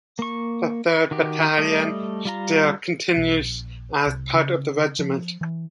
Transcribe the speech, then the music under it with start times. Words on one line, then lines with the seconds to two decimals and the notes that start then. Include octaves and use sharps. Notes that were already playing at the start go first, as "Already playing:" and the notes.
The third battalion still continues as part of the regiment.
0.19 A#3 C#6
1.11 D#3 F#4 G4
1.57 G3 A3 D#5
2.25 G3 F4 A#5
3.17 B1
3.39 A#1
4.06 C2
4.33 C#3
4.99 F3
5.41 E3